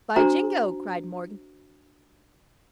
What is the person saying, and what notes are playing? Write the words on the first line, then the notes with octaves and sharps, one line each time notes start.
"By Jingo!" cried Morgan.
D4 F#4 C5 A#5